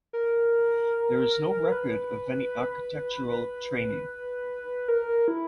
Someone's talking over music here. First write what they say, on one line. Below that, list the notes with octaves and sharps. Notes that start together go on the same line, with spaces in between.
There is no record of any architectural training.
A#4
B4
B4
A#4
E4